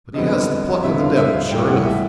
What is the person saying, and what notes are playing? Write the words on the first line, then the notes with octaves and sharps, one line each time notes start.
But he has the pluck of the devil, sure enough.'
F2 D3 G3 B3 D#5
F2 D3 G3 B3 E5
F5
E5
F5
G2 E3 A3 G5
F#5
E5